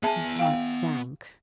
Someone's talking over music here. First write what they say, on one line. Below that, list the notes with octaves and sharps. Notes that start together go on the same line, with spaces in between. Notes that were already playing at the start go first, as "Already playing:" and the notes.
His heart sank.
B3 G#4 E5 G#5 A5
F5 G5